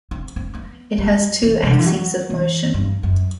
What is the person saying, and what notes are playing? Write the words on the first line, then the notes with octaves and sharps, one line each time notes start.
It has two axes of motion.
C4
C4
B3
G3
E3
C3
D3
E3
F#3
E3
G2
F#2